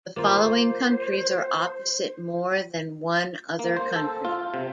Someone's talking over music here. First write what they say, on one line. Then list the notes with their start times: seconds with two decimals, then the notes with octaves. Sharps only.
The following countries are opposite more than one other country.
0.16 A#3 F4 C5
3.59 A#3
3.76 C5
3.96 A4
4.25 F4
4.54 C3